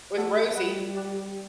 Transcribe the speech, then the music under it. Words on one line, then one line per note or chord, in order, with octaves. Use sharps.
with Rosie,
A3 A4 D5 F#5 A5 E6
G3 F#5 B5 F#6
D5 G5 D6 F#6